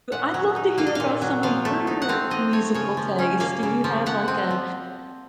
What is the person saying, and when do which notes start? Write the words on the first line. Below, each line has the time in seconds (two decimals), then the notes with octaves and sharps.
I'd love to hear about some of your musical taste. Do you have, like, a
0.12 A#2 F#5
0.34 F#3
0.56 D#4
0.78 A#3 F5
0.87 D#5
0.95 A#2 F5
1.22 F#3
1.43 F3 F5
1.65 A3
1.87 D#4
2.02 F#5
2.09 C4 F5
2.31 F3 D#5
2.53 A3 C#5
2.74 C#3 C#5
2.97 F3
3.19 C#4
3.40 A#3 F5
3.63 C#3
3.84 F3
4.06 F3 F#5
4.28 C4
4.51 F3